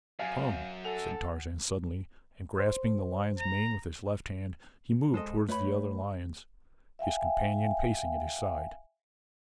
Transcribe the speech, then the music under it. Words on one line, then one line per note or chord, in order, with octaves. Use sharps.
"Come," said Tarzan suddenly and grasping the lion's mane with his left hand he moved toward the other lions, his companion pacing at his side.
F#2 F5 G#5
A4 F#5 G#5 F7
C5
A#5
G#3 A4 C5 D#5
A3 B4 C#5 B5
E5 F5 G5 G#5